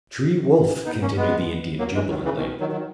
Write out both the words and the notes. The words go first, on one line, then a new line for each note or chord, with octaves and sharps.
"T'ree wolf!" continued the Indian jubilantly.
B3 D#4
A#3 C#4
G#3 B3
F#3 A#3
E3 G#3
D#3 F#3
C#3 E3
B2 D#3
D#3 F#3
D#3 F#3